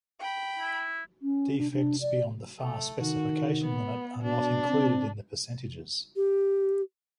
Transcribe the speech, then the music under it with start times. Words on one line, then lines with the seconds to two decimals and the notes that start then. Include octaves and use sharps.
Defects beyond the far specification limit are not included in the percentages.
0.20 G5 B5
0.59 E4
1.22 C#4
1.58 D4
1.72 D4
2.01 D5
2.60 A3
3.01 D#3 F#4
3.63 B3
4.23 B2 D4
4.68 C4
6.16 G4